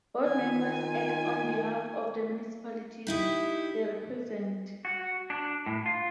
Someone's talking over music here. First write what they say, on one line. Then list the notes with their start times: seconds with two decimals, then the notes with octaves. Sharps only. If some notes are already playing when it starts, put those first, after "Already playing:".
Board members act on behalf of the municipalities they represent.
0.24 D#3 F4 G#5
3.07 D#4 E4 G4
4.85 F#4
5.30 D4
5.66 A2
5.86 F4